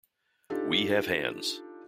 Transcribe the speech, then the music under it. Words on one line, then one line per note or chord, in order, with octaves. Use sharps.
We have hands.
D4 D#4 F4 G4 A4